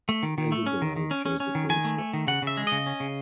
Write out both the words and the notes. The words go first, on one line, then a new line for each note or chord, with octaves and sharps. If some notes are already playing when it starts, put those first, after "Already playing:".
The table below shows the current structure of the system.
A3
D#3
D#3
A3
C#4
D#3
D#3
C#4
C#4
C#4
D#3
D#3 G#5
A3
A3
D#3
C#3 F#5
C#3 E5
G#3
C#3 D#5
C#4
C#3